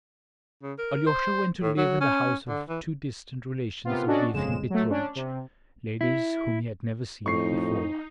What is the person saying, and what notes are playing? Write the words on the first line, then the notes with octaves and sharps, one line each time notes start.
Alyosha went to live in the house of two distant relations of Yefim Petrovitch, ladies whom he had never seen before.
C#3
A#4
C5
A2
F#3
C#4
D3
E3
C3 A#3 B3 F4
C#4 D4 F#4 A4 D5 D#5
G1 F2 C#3 G#3 E7
F#3 A3
C#4 D4
C3
E4
F2 A2 D#4 C#6 C7